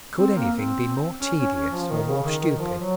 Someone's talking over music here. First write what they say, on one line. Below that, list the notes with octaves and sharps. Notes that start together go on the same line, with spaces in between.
Could anything be more tedious or more stupid?
C4
A#3
C4
C#4
C#4
C#4
F3
D#3
C#3
D#3
D#3
F3
F#3